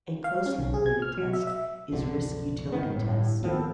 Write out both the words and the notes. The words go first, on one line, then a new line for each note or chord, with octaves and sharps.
A closely related test is risk-utility test.
F5
C#4
B1
G#4
G#6
F6
F#3
E5
E5
B1 F2 D3
D#3 B3
G1 A2
D#2 D#3 F3 B3 C4 A4